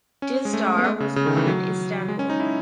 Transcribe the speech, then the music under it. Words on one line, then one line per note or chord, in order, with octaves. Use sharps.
Dizdar was born in Istanbul.
C#4
G#3
A3
B3
A3
C#3
C#3
D#3
E3
F#3
G#3
C#4
D#4
E4